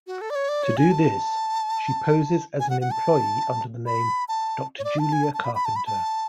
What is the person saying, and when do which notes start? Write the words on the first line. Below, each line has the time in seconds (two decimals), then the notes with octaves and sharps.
To do this, she poses as an employee under the name "Doctor Julia Carpenter".
0.07 F#4
0.21 A4
0.30 D5
0.35 C#5
0.49 D5
0.63 C#5
0.77 G#5
0.91 A5
2.60 G#5
2.70 F#5
2.81 F#5
2.91 A5
3.86 B5
4.28 A5
4.78 C#5
4.84 D5
4.99 A5
5.12 G#5
5.24 A5
5.34 A5
5.44 B5
5.55 B5
5.65 A5
5.76 B5
5.86 A5